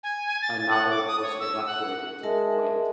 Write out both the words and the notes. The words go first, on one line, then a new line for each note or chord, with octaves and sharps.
Another was evacuated to Kuwait.
G#5
G#5
A6
F#5
D6
D#6
C#5
E6
F#5
G#3 A#4 E5 A5